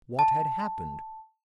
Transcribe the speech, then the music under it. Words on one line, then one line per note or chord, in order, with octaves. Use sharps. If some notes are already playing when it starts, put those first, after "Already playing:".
What had happened?
A5